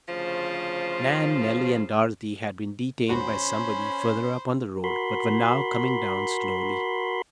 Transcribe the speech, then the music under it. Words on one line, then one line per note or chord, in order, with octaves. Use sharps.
Nan, Nellie, and Dorothy had been detained by somebody further up on the road, but were now coming down, slowly.
D2 C#3 F3 F4 C5
D#2 G#2 C#4 F#4 C5 B5
F#4 A#4 B5 C6